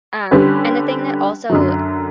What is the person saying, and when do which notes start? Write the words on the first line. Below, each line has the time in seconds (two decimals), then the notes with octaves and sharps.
um, and the thing that also,
0.31 D3 G3 C#4 G4 B4
1.50 F#2 D3 F#3